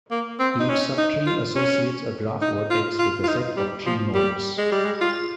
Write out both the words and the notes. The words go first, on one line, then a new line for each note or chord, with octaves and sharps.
Each subtree associates a graph vertex with a set of tree nodes.
A#3
C4
D#4
C#4
D#4
F4
C#4
D#4
F4
F4
F4
D#4
G3
F3
G3
G#3
G3
G#3
F4